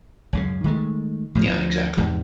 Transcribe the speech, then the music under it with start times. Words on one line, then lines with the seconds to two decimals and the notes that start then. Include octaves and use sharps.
Yeah, exactly,
0.33 C#2 F#2 C#3
0.64 D#3 G#3 A3
1.35 A2 F3 F#3 G#3
1.49 D2 F3
1.97 E2 G#2 C3